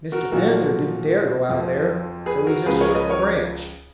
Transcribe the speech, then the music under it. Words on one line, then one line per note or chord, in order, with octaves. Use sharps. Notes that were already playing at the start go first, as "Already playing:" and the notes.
Mr. Panther didn't dare go out there, so he just shook the branch.
F#4 A#4
B1 A#2 F3 F#4 A#4
F2 F3
G#4 B4
F#4 A#4
C#2 C#3 F3 G#4 B4
A#4 C#5
B4 D#5
A#4 C#5